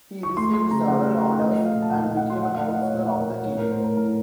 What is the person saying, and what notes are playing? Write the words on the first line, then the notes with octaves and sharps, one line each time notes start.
He received several honours and became a counselor of the king.
C#6
A3 C6
F3 C6
C#3 A#5
C#3 F#5
A3
F5
F3
A3 D#5
F3
F5
A#2
A5
A#2 F#5
A3 D#5
F#5
F3 C6
A#2 F#5
A3 F5
D#5
A3 C#5
A#2 C5
A#2
A#4
A3
A2 C#5
A3 A#4
C5
A3 A#4
A2 A#4